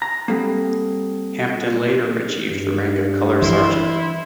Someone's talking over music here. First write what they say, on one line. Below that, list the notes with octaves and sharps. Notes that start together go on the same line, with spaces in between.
Hampton later achieved the rank of colour sergeant.
A#5
G3 A#3 C4 A4
G2
E3 C4 D4 E4 C6